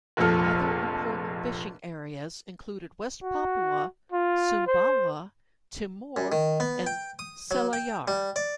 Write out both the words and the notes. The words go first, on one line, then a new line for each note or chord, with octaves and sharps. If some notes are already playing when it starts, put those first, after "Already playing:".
Other important fishing areas included West Papua, Sumbawa, Timor and Selayar.
F1 A#1 F2 F3 A4 F6
F#4
F4
C5
F#2
D#3
B3
G5
D#6
F#3
G5
G3
D5